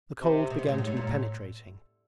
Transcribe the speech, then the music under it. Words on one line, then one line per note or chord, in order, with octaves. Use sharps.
The cold began to be penetrating.
C3
B2
C3
A2
G#2
A2
A#2
A2